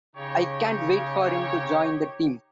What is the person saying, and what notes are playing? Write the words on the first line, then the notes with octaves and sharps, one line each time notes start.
I can't wait for him to join the team.
C#3 D#4 G4 C#5